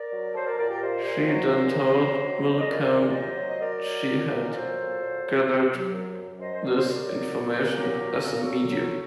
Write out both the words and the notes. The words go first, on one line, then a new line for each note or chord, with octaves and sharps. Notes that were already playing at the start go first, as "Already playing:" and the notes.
She then told Millecam she had gathered this information as a medium.
Already playing: A#4 D5
F#3
F#3 A4 C5
A#4 D5
A#2 A#4 D5
G4 A#4
A#2 C5 D#5
A#2
F#3
A#2
F#3
F#3
F#3
F#3
D#5
A#2 A#4 D5
A#2
D5
F#3 C5 D#5
F#3
D#5
F#3 A#4 D5
F#3
F#3
A#2
F#3 A4 C5
A#2
F#3
F#3
F#3
F#3
F#2
F#3
F#2 C5 D#5
C5
F#3 A#4 D5
C5
F#3 A#4 D5
F#3
F#3
A#2
F#3 G4 A#4
F#3
A#2 A4
A#4
F#4 A4
F#3
F#3